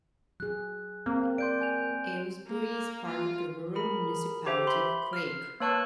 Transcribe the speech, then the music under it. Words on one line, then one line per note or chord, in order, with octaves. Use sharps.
Aylesbury is part of the Rural Municipality of Craik.
F#3 G#4 F#6
A#3 C4
D5 C6 G6 D7
G#5 G6 F7
A#3
F4
G#4 A#4 B5
G4 C5 E5 G5
B5 C6
F6 C7
A#3 B4 C#5 A5 C#6 F#6